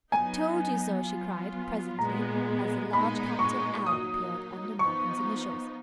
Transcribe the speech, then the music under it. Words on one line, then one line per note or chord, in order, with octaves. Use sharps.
"I told you so!" she cried, presently, as a large capital L appeared under Malcolm's initials.
F#3 B3 D#4 G#5
F#3 B3 F4
A#2 G#3 B3 A#5
A#2 G#3 B3 D#4 B5
C#6
F#3 A#3 D#4 D#6
F3 B3 D#4 C#6